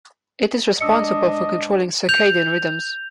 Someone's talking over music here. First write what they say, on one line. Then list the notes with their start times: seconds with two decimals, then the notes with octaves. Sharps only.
It is responsible for controlling circadian rhythms.
0.81 G#3 D4 D#5 D#6 E6 C#7
2.09 G6 F7